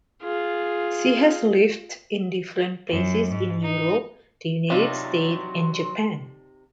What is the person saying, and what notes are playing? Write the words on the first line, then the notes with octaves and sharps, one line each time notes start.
She has lived in different places in Europe, the United States and Japan.
F4 G#4
F#2
G#2
D#4
C3 F#3 D4 D#4 F4 C#5 E5 C6